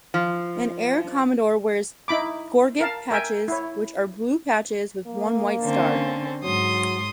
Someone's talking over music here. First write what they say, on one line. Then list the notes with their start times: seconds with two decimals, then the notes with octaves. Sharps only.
An air commodore wears gorget patches which are blue patches with one white star.
0.14 F3
2.08 D#4 E4 B5 D6
2.81 A#4 F5 A5
3.11 A#4 E5 G5 G#5
3.48 E4 C#5
5.07 A#3
5.61 D3 C4 C#4
6.43 G#2 F#3 C6 D#6